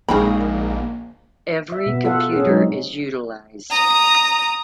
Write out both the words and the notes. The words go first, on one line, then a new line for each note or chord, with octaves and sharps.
Every computer is utilized.
A#1 C#3 G#3 A#3 C4 D#4 G#4 B5
E5
B2 B3
F4 A4 F5 F#5
C#4 G#4
F#3 G#3 C4 D#4
A#5 D#6